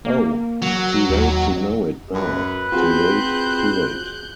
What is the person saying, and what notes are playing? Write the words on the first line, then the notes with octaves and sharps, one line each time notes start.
Oh, too late to know it now, too late, too late.
A#3
F#3
D#2
F#2 B4
C4 F4 F#4 G#4 F#6 G6